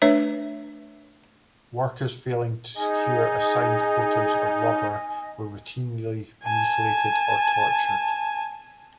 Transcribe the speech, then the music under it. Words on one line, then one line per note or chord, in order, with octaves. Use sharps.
Workers failing to secure assigned quotas of rubber were routinely mutilated or tortured.
A3 D4 B4 C#5 E5
D#4 G#4 D#5 G#5
G#5 A5